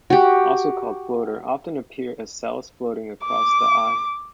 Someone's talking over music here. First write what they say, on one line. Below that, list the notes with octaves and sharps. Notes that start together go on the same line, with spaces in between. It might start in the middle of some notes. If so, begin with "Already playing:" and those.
Also called "floater" - often appear as cells floating across the eye.
F#4 G4
D6